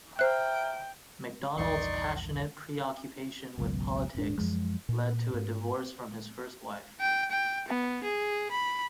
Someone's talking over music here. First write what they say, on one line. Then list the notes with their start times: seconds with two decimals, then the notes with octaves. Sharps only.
McDonald's passionate preoccupation with politics led to a divorce from his first wife.
0.19 C5 E5 G5 A#5 F6 F#6
1.57 A#1 E2 G2 D#4 D5 C6 C#6
3.58 G#1 C#2 B2 F#3
4.15 D#1 G#2 D4
4.38 F#2 F3 G#3
4.89 A#2
5.34 G#2
7.00 G5
7.31 G5
7.68 B3
8.04 G#4
8.51 B5